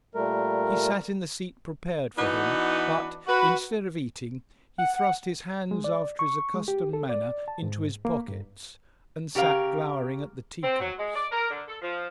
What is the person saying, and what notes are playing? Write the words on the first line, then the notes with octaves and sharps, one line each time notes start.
He sat in the seat prepared for him, but, instead of eating, he thrust his hands after his accustomed manner into his pockets and sat glowering at the teacups.
A#2 G3 A3 A#4
E3 B3 D4 D#4 F#4 B4
F#4 B4
F#5
G#3
D5
C#6
G#3
G4
A4
D5
A5
G#2
A#3
G2
C#3 G4 A#4 F5
C4
F#3
G#3
D5
A#4
D3
A4
F3